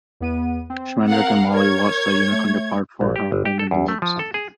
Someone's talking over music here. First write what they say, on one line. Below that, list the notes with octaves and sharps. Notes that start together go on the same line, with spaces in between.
Schmendrick and Molly watch the Unicorn depart for her home in the woods.
E2 B3 D#7
C4
A#4 F5 F#5
A#4 C#5 G#6
A3
A#1
G4
G1
G4
A4
E2
A3
F3
A4
G#4